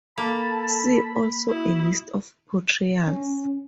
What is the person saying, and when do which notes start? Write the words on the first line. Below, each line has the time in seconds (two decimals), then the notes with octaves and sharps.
See also a list of portrayals.
0.18 A#3 A4 A5 B5
1.49 E4 F#4 D#6
3.08 C#4